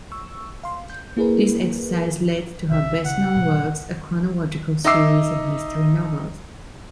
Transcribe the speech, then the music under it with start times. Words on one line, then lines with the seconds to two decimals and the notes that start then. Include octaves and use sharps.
This exercise led to her best-known works, a chronological series of mystery novels.
0.12 C#6 E6
0.63 F5 C6
0.90 G6
1.17 A#3 E4 G#4 A#4 B4
2.71 A#1 C3 E5
3.05 C#3 F#5
3.36 A#2 C#3 F#3
4.85 D#4 D#5 E5 D6 E6 C7